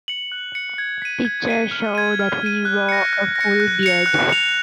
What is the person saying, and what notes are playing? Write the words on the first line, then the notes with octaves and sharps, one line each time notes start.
Pictures show that he wore a full beard.
C#7 F#7
F#6
C#7 F#7
G#6
B6 D#7
G#6
B6 D#7
F6
G#6 D#7
F6
G#6 D#7
F#6
A#6 C#7
F#6
A#6
C#7
F#6
C#7 F7
F#6
C#7 F7